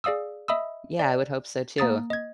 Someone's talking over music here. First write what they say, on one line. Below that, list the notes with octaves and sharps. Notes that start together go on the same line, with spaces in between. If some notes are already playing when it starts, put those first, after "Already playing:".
Yeah, I would hope so too.
G#4 D5 F5 D#6 E6
D#5 E5 B5 D#6 E6
D5
A#3 A#5 D#6 A6
D#5 G#6